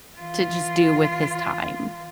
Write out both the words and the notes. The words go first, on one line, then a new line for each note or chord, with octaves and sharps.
to just do with his time.
E3 F4